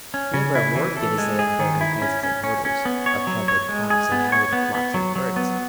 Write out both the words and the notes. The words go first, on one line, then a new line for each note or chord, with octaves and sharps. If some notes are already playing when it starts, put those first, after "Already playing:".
Never a word did he say of broken fences and hurdles, of trampled crops and harried flocks and herds.
C#4
C#3
E4
E3
A4
G#3
G#4
D#3
E4
C#4
C#4
C#4
C#4
B3
C#5
F#3
C#5
G#3
G#4
B3
C#5
B3
B3
F#3
F#3
B3